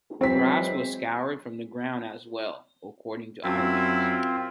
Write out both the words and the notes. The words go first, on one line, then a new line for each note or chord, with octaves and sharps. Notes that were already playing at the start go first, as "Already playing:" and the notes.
Grass was scoured from the ground as well, according to eyewitnesses.
E3 F#3 G#3 C4 B6
F#2 C4 E4 F4